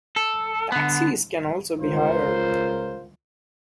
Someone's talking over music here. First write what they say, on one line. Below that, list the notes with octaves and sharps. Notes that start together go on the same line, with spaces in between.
Taxis can also be hired.
A4
D3 B3
C#2 F4 A#4 C5